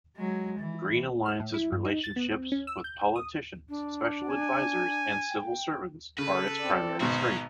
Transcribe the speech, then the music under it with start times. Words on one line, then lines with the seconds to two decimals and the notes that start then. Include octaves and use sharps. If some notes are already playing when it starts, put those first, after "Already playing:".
Green Alliance's relationships with politicians, special advisers and civil servants are its primary strength.
0.16 F#3 G#3
0.59 E3
1.26 F6
1.40 A2
1.54 E4
1.72 G2
1.85 D#4
2.04 A6
2.16 B3
2.31 C4
2.52 C#4
2.67 E6
2.84 G6
3.16 D#6
3.69 D4
4.30 G#5
5.29 G5
6.18 C#3 A4 B4
6.61 C4 D5
7.00 G#1 B2 C#4 F#4 C5 A#5